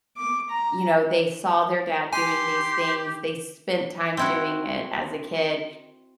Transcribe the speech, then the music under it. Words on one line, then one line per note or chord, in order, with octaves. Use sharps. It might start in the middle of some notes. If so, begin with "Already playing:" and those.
you know, they saw their dad doing these things, they spent time doing it as a kid,
D6
A#5
G4 G#5 C6
C4 E4 F#4